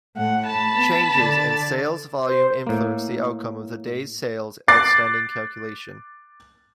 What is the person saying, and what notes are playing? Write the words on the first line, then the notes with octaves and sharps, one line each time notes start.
Changes in sales volume influence the outcome of the days sales outstanding calculation.
A2 F#5
A5 B5
B3
D3 D5 A6
C5
A2 A#3
D6 F#6 A6 C7